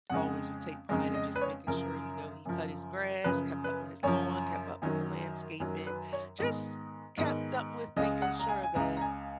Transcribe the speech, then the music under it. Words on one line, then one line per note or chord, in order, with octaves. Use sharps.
always would take pride in just making sure, you know, he cut his grass, kept up with his lawn, kept up with the landscaping, just kept up with making sure the
F2 C#3 G#3 F#5
F2 C#3 G#3
D#5
B4
C#5
F#2 C#3 F3 A#4
F#2 C#3 F3
F#2 C#3 F3 B4
B4
F#2 C#3 F3 C#5
F#2 D#3 F#3 C#4
F#2 D#3 F#3 C#4 A#4
B4
C#5
G#2 D#3 G#3 B3 D#5
G#2 D#3 G#3 B3
C#2 C#3 G#3 D#5
F#5
A#5
G#5
G#5
C#2 C#3 G#3 A#5
A#5
G#5